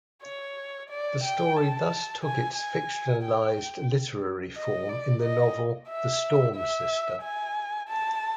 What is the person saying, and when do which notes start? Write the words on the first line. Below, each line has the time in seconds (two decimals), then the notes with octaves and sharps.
The story thus took its fictionalized literary form in the novel "The Storm Sister".
0.23 C#5
0.90 D5
1.23 G5
1.57 A5
2.23 G#5
2.56 G#5
3.23 G5
4.56 D#5
4.89 D5
5.23 D#5
5.89 E5
6.56 E5
7.23 G#5
7.89 A5